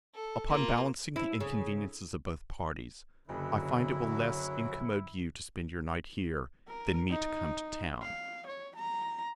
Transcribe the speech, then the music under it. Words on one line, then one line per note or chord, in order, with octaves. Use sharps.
'Upon balancing the inconveniences of both parties, I find it will less incommode you to spend your night here, than me to come to town.
A4
A#3 F4
E4
C#3
F#1 D3 F#3 E4
A#4
D#4
F5
C#5
A#5